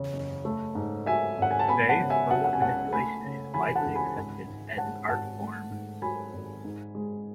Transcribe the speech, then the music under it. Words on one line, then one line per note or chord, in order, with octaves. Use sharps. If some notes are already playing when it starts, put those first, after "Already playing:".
Today, photo manipulation is widely accepted as an art form.
Already playing: F#1 E2 C#3
F#1
A3
G#2
F#3 E5 G#5
G#1 F#5
G#5
A5
B3 G#5 B5
F#5 A5
C#3
E5 G#5
F#3 F#5 A5
F#5
G#5
C#2 F#5 A5
A3 G#5 B5
C#3
E3 G#5 B5
F#5 A5
C#2
G#5 B5
G#1
G#2
G#3 F#5 A5
G#1 F#5 A5
A3
G#2
F#3 G#5 B5
G#1
G#2
G#3